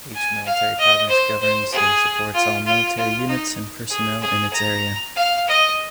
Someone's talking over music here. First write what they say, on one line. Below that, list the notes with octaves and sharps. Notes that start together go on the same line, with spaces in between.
Each military province governs and supports all military units and personnel in its area.
G#5
F5
D#5
C5
C5
G#4
F4
F4
F4
D#4
G#4
G#4
A#5
F5
D#5